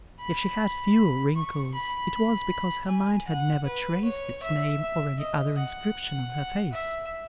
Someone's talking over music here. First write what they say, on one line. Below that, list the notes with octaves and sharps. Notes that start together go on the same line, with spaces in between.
If she had few wrinkles, it was because her mind had never traced its name or any other inscription on her face.
B5
C#6
B5
G#5
F#5
B4
C#5
E5
E5
D#5
F#5
E5